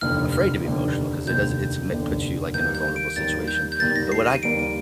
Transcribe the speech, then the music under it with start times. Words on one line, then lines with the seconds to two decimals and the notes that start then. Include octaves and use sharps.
afraid to be emotional 'cause it does it's ma puts you, like, in a vulnerable situation. But what I
0.01 F1 D#2 D3 F6
0.32 F6
0.65 F1 D#2 D3
1.27 F1 D#2 D3 G6
1.91 F1 D#2 D3
2.53 D#2 D#3 G3 A#3 G6
2.75 G6
2.96 D7
3.16 D#2 D#3 G3 A#3 A6
3.48 G6
3.72 G6
3.79 D#2 D#3 G3 A#3 A6
3.96 A#6
4.12 C7
4.28 D#7
4.43 D#2 D#3 G3 A#3 D7
4.59 D7